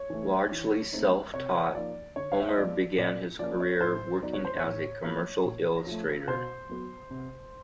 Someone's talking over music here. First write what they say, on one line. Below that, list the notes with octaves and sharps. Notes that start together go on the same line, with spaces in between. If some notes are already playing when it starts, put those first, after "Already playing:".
Largely self-taught, Homer began his career working as a commercial illustrator.
Already playing: C#5
E3 A3
E3
A3 C4 D#4
C3 C#5
F3 A#3 D#4 D5
D3 C#5
F5
E5
D#5
F3 G#3 B3 D5
A#2 D5
F3 A#3 C#4 D5
C#5
A2 C5
F#3 B3 D#4 D5
C#5
C5
C#5
A2
F3 A#3
A#2
F3 A3
B2 C5
F#3 B3
C3